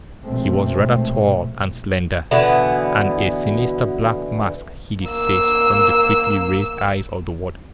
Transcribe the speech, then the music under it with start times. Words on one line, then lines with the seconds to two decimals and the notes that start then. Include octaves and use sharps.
He was rather tall and slender, and a sinister black mask hid his face from the quickly raised eyes of the warden.
0.25 A#1 B2 G#3 A3 C4
2.31 B2 D3 E3 B3
5.08 A#3 E6